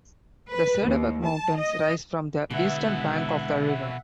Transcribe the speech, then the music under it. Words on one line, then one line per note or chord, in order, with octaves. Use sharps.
The Cederberg mountains rise from the eastern bank of the river.
B4
D#2
A5
D#5
B2 D3 G#3 B3 E4 E5 F#5